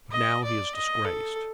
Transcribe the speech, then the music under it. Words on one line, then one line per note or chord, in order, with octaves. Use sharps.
But now he is disgraced.
D#5
D5
D#5
A4